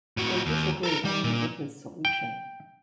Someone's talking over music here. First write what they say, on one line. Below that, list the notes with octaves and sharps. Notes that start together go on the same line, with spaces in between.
They disagree only with his solution.
A2 F#4
D#2
A4 A#4
G3
A#2
G5